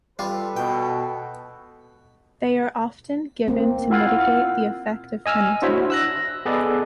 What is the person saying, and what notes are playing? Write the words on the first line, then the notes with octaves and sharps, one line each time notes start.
They are often given to mitigate the effect of penalties.
G3 F4 A4 B4
B2 G5
A#3 C4
E4 F4 F#5
D#5 G#5 E6 F6
D4 E4 F#4 C5 C#5 E5
E6 F#6 A#6
B3 G#4 A4 B4 D5 D#5